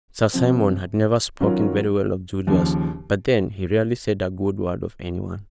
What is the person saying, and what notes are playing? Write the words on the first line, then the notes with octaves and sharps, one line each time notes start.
Sir Simon had never spoken very well of Julius, but then he rarely said a good word of anyone.
C3 F3 C4
D#3 F#3 C#4 F4 A#4
D#2 C#3 F3